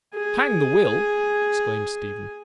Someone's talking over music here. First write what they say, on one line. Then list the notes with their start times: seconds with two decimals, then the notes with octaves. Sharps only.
"Hang the will!" exclaimed Stephen.
0.14 G#4 G#5